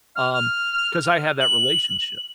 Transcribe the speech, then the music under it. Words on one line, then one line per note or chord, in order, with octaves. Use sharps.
um, 'cause I have that relationship.
F6
F6
F#7